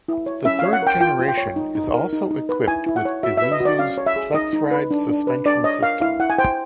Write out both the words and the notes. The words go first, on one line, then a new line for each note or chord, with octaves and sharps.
The third generation is also equipped with Isuzu's Flex Ride Suspension System.
E4
C#5
C#4 E5
C#5 F5
F#5
A#4 G5
F4 G5
F4
G5
C#5
D#4
D#4
A#4
D#4
D#4
B4
E4 G#5
E4
F#5
C#5
F#4 E5
B4 E5
D#5
F#4
D5
C#4 F5
C#5
E5
G#4
D#4 D#5
D#4
B4
D4
D4
B4
D4 D5
C#5 D#5
A#4 F5
E4 F5
E4 F#5
G#5
C5 G5